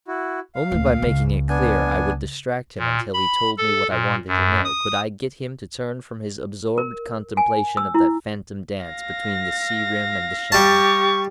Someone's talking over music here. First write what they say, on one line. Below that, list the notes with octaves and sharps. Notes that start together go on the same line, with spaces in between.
Only by making it clear I would distract him until he told me what I wanted to know could I get him to turn from his absorbed contemplation of that phantom dance between the sea rim and the shine.
E4 F#4
F5
D2 A#2
C#2
B3 D4 G#5
A#2
B5
A4
A#2
F#2
D#6
A#4
G#5
E6
E4
F5 A#6
G3 G4 A5 C#6